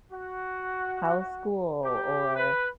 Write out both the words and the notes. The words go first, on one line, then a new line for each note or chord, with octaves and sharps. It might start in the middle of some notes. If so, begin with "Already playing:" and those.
"How's school?" or
F#4
G4
B4